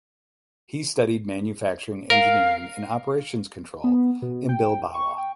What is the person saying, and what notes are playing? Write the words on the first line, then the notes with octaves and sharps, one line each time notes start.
He studied manufacturing engineering and operations control in Bilbao.
A#4 F5
B3
B2
G5
C#6
G5